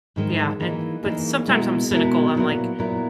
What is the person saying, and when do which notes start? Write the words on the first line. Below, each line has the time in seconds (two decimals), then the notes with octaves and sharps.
Yeah, and but sometimes I'm cynical. I'm like,
0.16 G#2 D#3 G#3 D#4
0.60 E3 A#3 D#4 G#4
1.03 E3 A#3 D#4 G#4
1.48 B2 G#3 B3 E4 A#4
1.91 B2 G#3 B3 E4 A#4
2.35 A#2 F#3 B3 E4 A#4
2.79 A#2 F#3 B3 E4 A#4